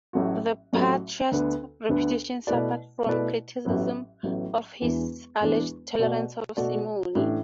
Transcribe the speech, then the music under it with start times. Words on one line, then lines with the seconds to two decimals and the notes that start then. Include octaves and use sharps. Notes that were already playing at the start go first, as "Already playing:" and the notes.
The patriarch's reputation suffered from criticism of his alleged tolerance of simony.
0.13 A1 A2 F#3 A3 F#4
0.73 A1 A2 F#3 A3 F#4
1.31 D2 D3 B3 D4
1.89 D2 D3 B3 D4
2.47 B2 A3 E4 B4 D5
3.06 B2 A3 E4 B4 D5
3.65 A1 A2 F#3 B3
4.23 A1 A2 F#3 B3
4.81 E1 E2 E3 D4
5.40 E1 E2 E3 D4
5.98 B2 A3 F#4 D5
6.57 B2 A3 F#4 D5
7.15 A1 A2 E3 D4